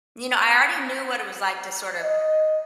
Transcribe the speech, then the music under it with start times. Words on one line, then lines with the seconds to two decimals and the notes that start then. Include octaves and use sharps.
You know, I already knew what it was like to, sort of
2.00 D#5